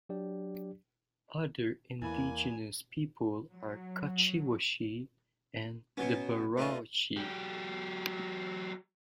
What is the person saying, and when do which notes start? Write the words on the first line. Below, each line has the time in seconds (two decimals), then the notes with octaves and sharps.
Other indigenous people are the Kociewiacy and the Borowiacy.
0.09 F#3 D4 G4 D5
2.02 E2 A#3 E4 G#5 B5
3.51 F#3
5.97 B2 F#3 B3 C#4
6.57 A3 D#4 F4 B4 D5 E5
7.17 F#3 G4